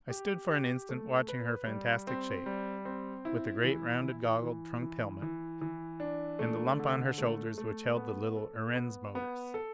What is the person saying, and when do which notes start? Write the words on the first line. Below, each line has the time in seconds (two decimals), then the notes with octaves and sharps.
I stood for an instant watching her fantastic shape, with the great rounded, goggled, trunked helmet and the lump on her shoulders which held the little Erentz motors.
0.10 G4
0.49 G4
0.89 A3
1.28 B4
1.67 G3
2.07 C4
2.46 G3
2.85 C4
3.25 E4
3.64 E3
4.03 E3
4.43 E3
4.82 E3
5.22 E3
5.61 E3
6.00 D4
6.39 A3
6.79 D3
7.18 A3
7.58 A3
7.97 B3
8.37 A4
8.76 B3
9.15 B3
9.54 A4